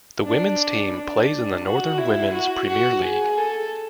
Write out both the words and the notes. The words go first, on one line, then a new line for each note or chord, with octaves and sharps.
The women's team plays in the Northern Women's Premier League.
D4
D4
F#4
E4
F#4
F#4
G#4
A4